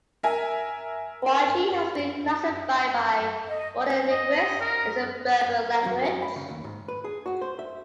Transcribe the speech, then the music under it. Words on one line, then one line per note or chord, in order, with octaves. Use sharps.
Guanche has been classified by modern linguists as a Berber language.
A#4 E5 G#5
D#5
D#5
A#4
F#3
F#2
B5
C#3
D#2
G#2
B4
G#4
F#4
C5
E5